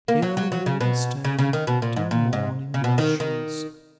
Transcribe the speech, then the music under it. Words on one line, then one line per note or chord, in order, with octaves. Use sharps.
Here will we stay, till morning blushes.
A#3
F#3
F#3
F#3
C#3
B2
C#3
C#3
D#3
B2
A#2
G#2
A#2
G#2
C#3
B2
D#3
D#3